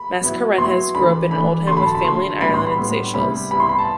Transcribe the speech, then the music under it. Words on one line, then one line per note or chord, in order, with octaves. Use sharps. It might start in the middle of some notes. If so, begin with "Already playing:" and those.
Mascarenhas grew up in Oldham with family in Ireland and Seychelles.
Already playing: B5
F#3 B3 E4
F#3 B3 E4 C6
E3 A3 D4 B5
E3 A3 D4 B5
D3 F#3 A3 C6
B5
A5
B5
D3 F#3 A3 C6
A2 G3 B3 D4 B5
C6
B5
A2 G3 B3 D4
C3 G3 B3 E4 B5
C3 G3 B3 E4 B5
C6
B5
A5